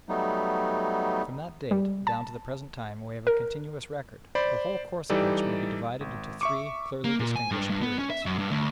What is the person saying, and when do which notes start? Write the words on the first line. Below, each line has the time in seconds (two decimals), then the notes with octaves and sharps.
From that date down to the present time we have a continuous record, the whole course of which may be divided into three clearly distinguished periods.
0.09 F#3 G3 A3 B3 D#4
1.71 G3
2.07 A5
3.27 A#4
4.35 C5 D5 B5
5.10 E3 G3 D#4 G4 A4 D5
6.01 G#1
6.41 E5 C#6 D6
7.04 A#3
7.20 A#2
7.36 G#5
7.51 G2
7.70 G2
7.83 B3
7.99 C#4
8.10 E5
8.26 F#2
8.38 G2
8.51 D2